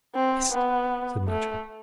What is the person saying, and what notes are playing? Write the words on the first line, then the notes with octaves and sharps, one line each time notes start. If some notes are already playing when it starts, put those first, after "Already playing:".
"Hist!" said Matcham.
C4
B3
A3